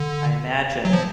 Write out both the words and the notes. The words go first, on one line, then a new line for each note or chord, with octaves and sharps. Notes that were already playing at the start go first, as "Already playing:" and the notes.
I imagine
Already playing: D3
F#3
F3